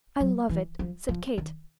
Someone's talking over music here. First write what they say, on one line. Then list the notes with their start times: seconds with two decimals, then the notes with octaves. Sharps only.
"I love it," said Kate.
0.20 F#3
0.49 E3
0.79 F3
1.09 F3
1.38 D#3